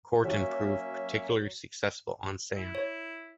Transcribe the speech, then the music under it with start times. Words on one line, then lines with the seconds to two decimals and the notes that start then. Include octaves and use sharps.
Kuerten proved particularly successful on sand.
0.24 F#3 A#3 C#4 E5
2.56 E4
2.75 C#5